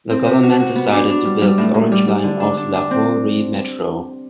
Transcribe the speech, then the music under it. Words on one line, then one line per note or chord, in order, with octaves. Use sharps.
The Government decided to build the Orange Line of Lahore Metro.
C4
C3
F#4
F#4
B3
D4
D4
G3
G3
A2
A2
G3
G3
D3
D4
D4
D4
C4